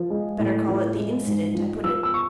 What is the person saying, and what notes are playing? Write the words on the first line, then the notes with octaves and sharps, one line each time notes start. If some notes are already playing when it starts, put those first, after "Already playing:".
"Better call it the incident," I put in.
Already playing: F3
G#3
A2
F3
G#3
G#2
F3
F3 E6
E6
C#6